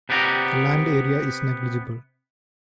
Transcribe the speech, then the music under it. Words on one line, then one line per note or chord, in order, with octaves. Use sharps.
The land area is negligible.
C3 B3 G4 D5 D#5 A#5